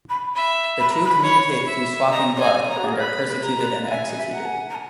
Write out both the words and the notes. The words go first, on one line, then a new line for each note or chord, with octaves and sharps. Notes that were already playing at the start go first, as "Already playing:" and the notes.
The two communicate through swapping blood, and are persecuted and executed.
B5
E5 B5
B5
A#5
B5
C#5
E5
D#5 A#5
C#5
D#5 G#5
C#5 A#5
F#4
G#4
A#4
B4 B5
B4
A#5
B4
E5 G#5
D#5
E5
F#5 A#5
G#5
A#5
G#5